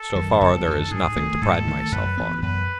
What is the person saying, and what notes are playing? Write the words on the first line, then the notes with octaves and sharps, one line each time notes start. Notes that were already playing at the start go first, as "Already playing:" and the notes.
So far there is nothing to pride myself on.
Already playing: A4
F#2 D#3
F#1 A4
F#2 D#3
G#2 G#4
D#3 A3
G#2 A4
D#3 A3
F#2 B4
E3 B3
F#2 B4